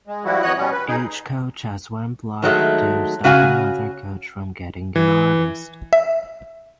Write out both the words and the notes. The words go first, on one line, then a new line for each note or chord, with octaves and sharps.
Each coach has one block to stop another coach from getting an artist.
G#3
F3 G3 E4 F#4
F2 E3 F#4 C#5 D#5 F#6
B2 G3 B3 C#4
B4
D#4 G#4
D#3 F#3 G#3 A3
C#3 F#4 F5 G#5
E3
E5